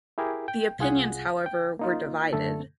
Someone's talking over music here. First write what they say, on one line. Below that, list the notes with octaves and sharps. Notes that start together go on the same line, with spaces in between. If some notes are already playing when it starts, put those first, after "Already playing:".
The opinions, however, were divided.
E4 G4 G#4 A#4
G5
C2 F4 G#4 F#5
G5
A#3 D#4 F4
F#2 D3 A3 A4